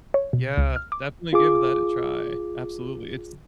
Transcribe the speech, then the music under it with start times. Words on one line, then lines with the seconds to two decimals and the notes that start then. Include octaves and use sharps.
Yeah, definitely give that a try. Absolutely. It's
0.14 C#5
0.33 B2
0.58 C#2
0.76 F6
0.92 D6
1.33 F4 G#4 D6